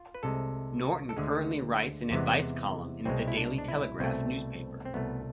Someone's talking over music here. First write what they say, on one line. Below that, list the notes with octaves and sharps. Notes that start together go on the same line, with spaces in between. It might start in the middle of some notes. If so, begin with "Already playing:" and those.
Norton currently writes an advice column in "The Daily Telegraph" newspaper.
Already playing: F4
B4
C2 C3 G#3 A4
A4
D2 D3 G#3 G#4
E2 C3 E3 G#3 B3
C2 B2 G#3 C4
E4
D4
D4
E4
C2 B2 A3 C4
C4
C2 B2 A3 B3